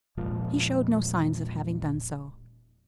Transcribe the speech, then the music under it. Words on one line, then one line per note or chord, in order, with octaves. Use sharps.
He showed no signs of having done so.
E1 A#2 F3 G#3